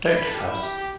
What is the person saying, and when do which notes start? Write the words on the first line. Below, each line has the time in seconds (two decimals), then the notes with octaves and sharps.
Don’t fuss.
0.15 B4
0.26 A4
0.34 G4
0.49 E4
0.62 G4
0.78 G4